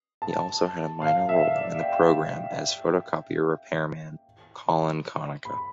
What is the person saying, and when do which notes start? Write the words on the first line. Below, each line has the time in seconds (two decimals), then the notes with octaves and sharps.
He also had a minor role in the programme as photocopier repairman Colin Konica.
0.22 A5
1.02 F5
1.29 E5
1.56 D5
1.83 G5
5.45 B5